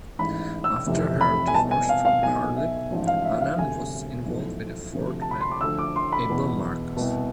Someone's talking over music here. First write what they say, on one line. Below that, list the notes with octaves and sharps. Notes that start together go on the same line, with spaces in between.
After her divorce from Harlib, Annan was involved with a fourth man, Able Marcus.
A1 G#2 E3 B5
E6
F1 F2 C3 E3
B5
G#5
C2 B2 A5
G#5
F5
F5
B1 B2 G#5
E5
A1 G#2 F3
F5
E5
F5
E1 D2 C3 G#5
B1 A2 F3
D2 C3 F3
A5
B5
C6
D6
D2 D3 F3 E6
D6
C6
B5
E2 B2
C2 B2